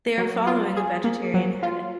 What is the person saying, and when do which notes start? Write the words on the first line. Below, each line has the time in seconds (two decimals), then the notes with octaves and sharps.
They are following a vegetarian habit.
0.18 F#3
0.47 F4
0.76 G#4
1.04 A#3
1.34 F#3
1.63 F4